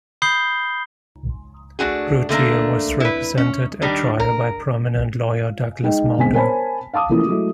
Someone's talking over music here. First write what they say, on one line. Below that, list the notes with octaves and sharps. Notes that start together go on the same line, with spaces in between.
Routier was represented at trial by prominent lawyer Douglas Mulder.
B5 D#6 G6 C7 G7
A3 D4 F#4 G#4
D3 A3 A#3 D4
E4 B4
C#4
D#3 G3 D4
A#4
G#3 D#4 G5
G1 G#3 C4 G#5 B6
A#4 C5 C#5 G#5 A5 B5
F5 A5 D6 D#6
E3 F3 A3 A#3 C#4 E4
F#3 G#3 A3 E4